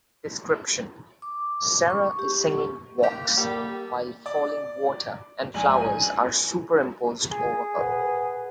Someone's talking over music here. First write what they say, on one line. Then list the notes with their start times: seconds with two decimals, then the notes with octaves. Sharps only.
Description: Sarah is singing "Vox" while falling water and flowers are superimposed over her.
1.22 D6
1.90 C#6
2.19 G4
3.03 A#3 G4
3.37 G3 A#3 G4 A4
4.26 D5
5.54 A#1 G#2 G#5 F#7
7.31 G#4
7.80 B4 F#5